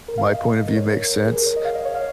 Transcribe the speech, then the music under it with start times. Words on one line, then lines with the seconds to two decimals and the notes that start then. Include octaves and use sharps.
my point of view makes sense?”
0.08 A#4
0.18 F5
0.27 D#5
0.67 A#4
0.76 C#5
0.87 A#4
1.26 G#4
1.35 A#4
1.46 C#5
1.56 D#5
1.65 F5
1.75 D#5
1.85 C#5
1.95 F5